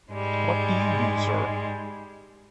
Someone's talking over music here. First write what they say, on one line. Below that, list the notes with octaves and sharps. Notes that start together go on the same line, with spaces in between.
What do you do, sir?
G#2 G3 G#3